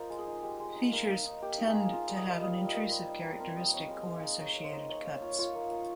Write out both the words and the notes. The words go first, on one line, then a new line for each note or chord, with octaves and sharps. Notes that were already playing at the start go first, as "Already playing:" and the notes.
Features "tend" to have an intrusive characteristic or associated cuts.
Already playing: F4 A#4 C5 D#5
G#3
G#4
D#4
G#3 G4
G#3
D#4
A#3
D#4
D#4
A#3 G4
D#4
G#4
A#3
F4
G3
D#5
G3
F5
G3 D#5
G3
D#5
A#3
G3 C5
D#4
D#4
C4 A#4
G3 D#5
C4 C#5
G#3 D#5
G#3 F5
D#4 D#5
D#4 C#5
D#4
C5
D#4
A#3 C#5
A#3 F5
F4 C#5
F4 C#5
A#3
A#3